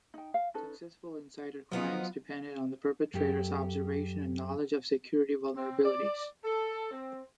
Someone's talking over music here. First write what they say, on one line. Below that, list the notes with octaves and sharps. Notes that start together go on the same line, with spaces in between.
Successful insider crimes depended on the perpetrators' observation and knowledge of security vulnerabilities.
D#4 G5
F5
C#4 D#4 A4 B4
F3 F#3 B3 D#4 F4
F#2 G4 A4
C4
D5
A4
C4